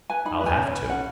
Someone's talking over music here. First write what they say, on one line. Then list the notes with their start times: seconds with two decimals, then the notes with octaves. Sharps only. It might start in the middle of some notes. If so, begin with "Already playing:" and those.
I'll have to.
0.10 B4 G#5
0.25 D#4 B5
0.41 B4
0.46 G#5
0.57 C#4
0.73 B4
0.89 C#4 F#5